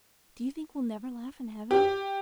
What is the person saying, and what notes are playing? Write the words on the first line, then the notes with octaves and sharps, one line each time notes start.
"Do you think we'll never laugh in heaven?"
G4